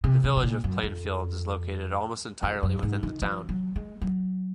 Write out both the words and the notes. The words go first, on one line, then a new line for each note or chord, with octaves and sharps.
The Village of Plainfield is located almost entirely within the town.
C3
C#3
C3
A#2
F#2
F2
F2
F#2
G#2
D#3
F3
F#3
G#3
F#3